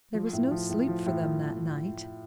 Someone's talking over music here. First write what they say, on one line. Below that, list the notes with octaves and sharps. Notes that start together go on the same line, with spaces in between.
There was no sleep for them that night.
F3
A2
F3
A2
F3
A2